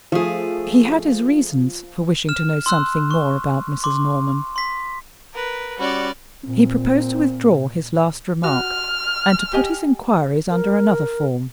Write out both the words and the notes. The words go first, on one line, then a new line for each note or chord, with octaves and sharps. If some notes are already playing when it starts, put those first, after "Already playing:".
He had his reasons for wishing to know something more about Mrs. Norman; he proposed to withdraw his last remark, and to put his inquiries under another form.
F3 A3 G#4
F6 E7
C6 E6 F#6
C#6
C6 D6
C6 B6
A#4 B4
G3 C#4 F#4 D5
A#2 C4
F#4 F6
G4 D#5 G#5
A#4